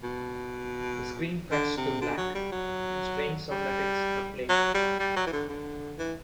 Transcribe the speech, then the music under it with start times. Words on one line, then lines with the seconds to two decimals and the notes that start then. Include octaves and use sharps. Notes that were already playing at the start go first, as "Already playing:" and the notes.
The screen cuts to black and strange sound effects are played.
0.03 B2
1.52 D3
1.77 C3
2.01 D3
2.18 F#3
2.35 G3
2.52 F#3
3.51 G3
4.49 F#3
4.74 G3
4.99 G3
5.16 F#3
5.27 E3
5.33 D3
5.49 D3
5.98 E3